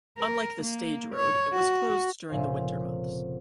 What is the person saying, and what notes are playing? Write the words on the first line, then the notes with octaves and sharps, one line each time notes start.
Unlike the stage road, it was closed during the winter months.
A#4
A#3
C#5
F#4
F1 A#2 C#3 C5 F5